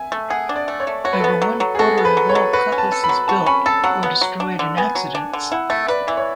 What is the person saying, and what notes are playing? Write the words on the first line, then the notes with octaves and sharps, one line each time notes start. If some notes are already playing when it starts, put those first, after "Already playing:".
Over one quarter of all Cutlasses built were destroyed in accidents.
Already playing: E5 G#5
A3
G#4 F#5
D4
D5
A3
C#5
A3
F#4 C#5
B4
A4
B3 B4
F#3
F#3
G#4
F#4 A4
B3
B4
F#3
C#5
F#3
F#4 B4
C#4
A5
A4
B5
F#3
F#4 A5
C#4 B5
A4 A5
F#3 F#5
B3 F#5
F#3
D4
D3
B3 G#5
F#3
D4
D3
E4 F#5
A3 E5
B4 D5
E3 E5
C#5